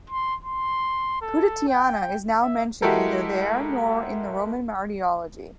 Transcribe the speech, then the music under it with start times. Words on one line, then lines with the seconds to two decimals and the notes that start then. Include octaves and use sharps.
Pudentiana is now mentioned neither there nor in the Roman Martyrology.
0.10 C6
0.44 C6
1.22 A4
1.69 G5
2.42 E5
2.82 G#3 E4 F#4 G4 A4 A#4